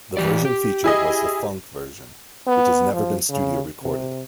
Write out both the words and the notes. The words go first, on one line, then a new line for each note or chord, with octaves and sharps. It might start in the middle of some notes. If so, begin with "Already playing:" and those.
The version featured was the "funk" version, which has never been studio-recorded.
E3 G4 D5
G4
E4 G#4 D#5
B3
F3
C#3
C3